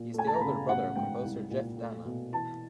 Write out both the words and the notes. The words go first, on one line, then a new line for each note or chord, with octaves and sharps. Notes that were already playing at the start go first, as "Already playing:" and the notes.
He is the older brother of composer Jeff Danna.
Already playing: A#2
A3 G#5
A5
A#5
C#3 B5
A1 F#5
G#2 G5
C2
A#2
A3
B2
E3 A5